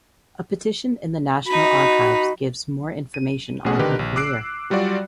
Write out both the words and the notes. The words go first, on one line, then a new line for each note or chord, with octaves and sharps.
A petition in The National Archives gives more information on her career.
D#4 F#4 B5
D#7
A#1 B2 A3 C#4 G#4 F#5
D3 D#3 D#4 G4 A#4 B4
A#1
D6 E6 F#6 C7 D7
F#3 G3 F4 F#4 D5